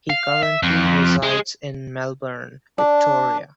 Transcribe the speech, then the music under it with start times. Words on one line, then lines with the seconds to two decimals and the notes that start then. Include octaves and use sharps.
He currently resides in Melbourne, Victoria.
0.10 F5
0.43 E5
0.63 F2
1.23 G#3
2.78 D4 D5